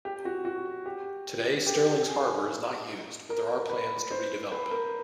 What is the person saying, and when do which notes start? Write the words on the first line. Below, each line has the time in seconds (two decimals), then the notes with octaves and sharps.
Today Stirling's harbour is not used but there are plans to redevelop it.
0.05 G4
0.25 F#4
0.45 F#4
0.86 G4
1.67 G4
2.08 G#4
3.30 A#4
3.70 B4
4.11 C5
4.52 B4
4.71 A#4